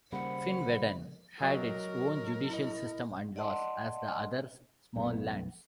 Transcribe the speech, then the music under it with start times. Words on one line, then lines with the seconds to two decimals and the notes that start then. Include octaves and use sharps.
Finnveden had its own judicial system and laws as the other "small lands".
0.12 D#2 C#3 G3 A#3 C5 F#5 B5
1.42 F#3 A#4 D#5
2.50 E4 D#5
3.36 D5 D#5 F#5 A5 C6
4.96 B1 F#2 A3 B3